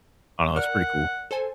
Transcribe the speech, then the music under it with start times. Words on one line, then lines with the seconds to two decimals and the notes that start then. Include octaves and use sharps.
I don't know, it's pretty cool.
0.56 A#4 D5 F#5 F6
1.31 A4 C5 G#5